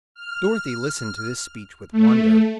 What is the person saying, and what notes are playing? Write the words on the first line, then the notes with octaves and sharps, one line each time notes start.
Dorothy listened to this speech with wonder.
F6
A3